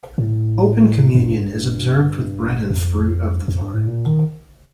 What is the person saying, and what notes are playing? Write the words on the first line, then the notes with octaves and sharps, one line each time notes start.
Open communion is observed with bread and fruit of the vine.
A2
G2
F2
F2
G2
A2
A#2
D#3